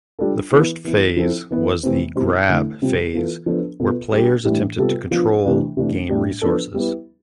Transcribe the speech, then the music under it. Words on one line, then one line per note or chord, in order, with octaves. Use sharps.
The first phase was the "grab" phase where players attempted to control game resources.
G3 D4 F4 A4
E3 B3 E4
E3 B3 E4
F3 C4 E4 A4
E3 B3 E4
C3 E3 A3 C4
B2 G3 C4 E4
D3 A3 E4 A4
C3 G3 C4 F4
E3 B3 F4 A4
F3 B3 D4 A4
B2 B3 F4 A4
G3 D4 G4
A2 E3 G3 D4 G4
C3 G3 B3 F4 A4
F3 B3 D4 F4
C3 E3 A3 D4 G4
C3 E3 A3 D4
A2 G3 D4 G4
F3 B3 D4 A4
G3 B3 E4 G4